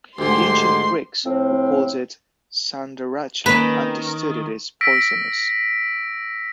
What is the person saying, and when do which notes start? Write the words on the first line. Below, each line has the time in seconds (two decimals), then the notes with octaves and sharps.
The ancient Greeks, who called it ""sandaracha"", understood it is poisonous.
0.19 D2 G#2 D3 G#3 G4 C6
1.26 A2 F3 C4
3.46 D#3 A#3 C#4 B4
4.81 E6 A#6 B6 D7